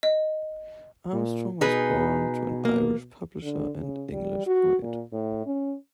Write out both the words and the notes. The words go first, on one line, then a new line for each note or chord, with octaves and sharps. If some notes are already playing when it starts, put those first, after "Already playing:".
Armstrong was born to an Irish publisher and English poet.
D#5
A#2
B2 D#4 G#4 B4
A#3
D3
C#3
G3
F#4
A#2
A2
C#4